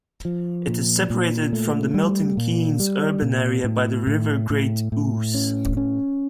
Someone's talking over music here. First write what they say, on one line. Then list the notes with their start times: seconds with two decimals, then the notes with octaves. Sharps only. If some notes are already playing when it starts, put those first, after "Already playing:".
It is separated from the Milton Keynes urban area by the River Great Ouse.
0.25 F3
0.67 A#2
1.10 A#2
1.53 A3
1.94 G3
2.37 A#2
2.80 G3
3.22 A#2
3.64 A2
4.07 A2
4.50 A2
4.92 A2
5.34 C#4
5.77 C#4